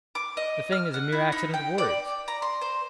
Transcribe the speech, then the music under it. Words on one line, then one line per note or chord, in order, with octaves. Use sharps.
The thing is a mere accident of words.
D6
D#5
F6
F#5
E4
D#4
G5
D5
A#5
C6
C5